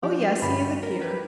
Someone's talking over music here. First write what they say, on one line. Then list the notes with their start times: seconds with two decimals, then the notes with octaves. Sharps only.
"Oh, yes, he is a peer."
0.03 F3 G4 D5
0.22 F#4
0.42 G2 D3 C#4 B5
0.83 A#4
1.01 G4 B4